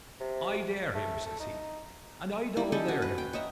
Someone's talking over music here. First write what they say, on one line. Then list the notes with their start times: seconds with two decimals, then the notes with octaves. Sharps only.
I dare him, says he, and I doubledare him.
0.20 C3
0.95 A3
1.26 A4
1.40 D#4
2.57 G3 E4
2.72 C#4 G4 A4 D#5
2.88 F#4
3.02 B4
3.18 G5
3.33 C#5 D#5 E5 A#5